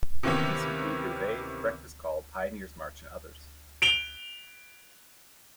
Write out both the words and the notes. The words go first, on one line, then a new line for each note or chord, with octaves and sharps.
Duties include reveille, breakfast call, pioneer's march and others.
C3 D#3 E3 A#3 B3 C#4
D7 F7 G7